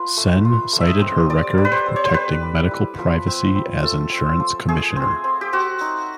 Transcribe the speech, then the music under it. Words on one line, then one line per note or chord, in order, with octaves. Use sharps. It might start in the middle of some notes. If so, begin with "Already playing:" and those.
Senn cited her record protecting medical privacy as insurance commissioner.
Already playing: F4 B4
A3
F4
A3
E5
D#5
C4
G3 D5
G3
B4
C5
C4
C#5
C5
G3 B4
G3
E4
F3
C4
C4
A3 A4
C4
F3
A3 G#4
C4
C4
G4
C4 F#4
D#4